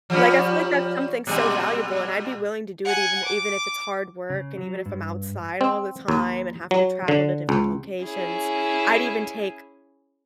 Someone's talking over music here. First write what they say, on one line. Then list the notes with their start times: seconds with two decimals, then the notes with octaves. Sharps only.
Like, I feel like that's something so valuable, and I'd be willing to do it even even if it's hard work and even if I'm outside all the time and have to travel to different locations. I'd even take,
0.10 F3 G3 C#4
1.27 A#2 G3
2.85 F#5 G#5
3.25 D6
4.30 C#3
4.57 F#3
4.86 G2
5.61 C4
6.08 D#2
6.71 F#3
7.08 D3
7.49 C#2
8.03 C#4 E4 G#4